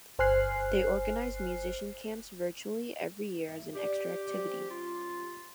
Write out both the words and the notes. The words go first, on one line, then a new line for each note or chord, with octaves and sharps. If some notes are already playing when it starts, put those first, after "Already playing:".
They organize musician camps virtually every year as an extra activity.
G1 C5 G#5 F6 F#6 C7
G2 A#3 E5
D4 G4 D5
G3 C4 C#4
F4